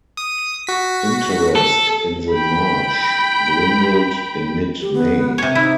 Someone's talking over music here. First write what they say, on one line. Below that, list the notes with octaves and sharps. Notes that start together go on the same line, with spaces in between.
Interest in the march dwindled in mid May.
D#6
F#4 B6
A4
G5 B5
G4
B3
C3 C#5
D#4 E4